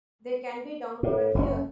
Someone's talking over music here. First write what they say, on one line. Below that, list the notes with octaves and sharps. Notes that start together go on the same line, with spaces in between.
They can be downloaded here.
A2
F#1 B2 C#4